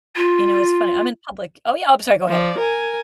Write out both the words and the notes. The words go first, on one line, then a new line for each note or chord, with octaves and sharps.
You know, it's funny, I'm in public oh, yeah, I'm sorry, go ahead.
F4
F3 D5
A#4 G#5